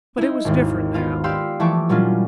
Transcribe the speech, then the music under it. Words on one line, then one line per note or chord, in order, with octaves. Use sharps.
But it was different now.
D#4 E4
G#1 D#2
B3 F4 F5
G4 D5 F5 G5 C6 E6
E3 F3 A3 E5 C#6 D6
A#2 F#3 G3 C#4 D4 F4